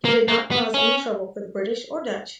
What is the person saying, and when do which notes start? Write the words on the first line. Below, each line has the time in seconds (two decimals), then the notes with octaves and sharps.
He did not cause any trouble for the British or Dutch.
0.05 A#3
0.28 A#3
0.51 B3
0.74 C#4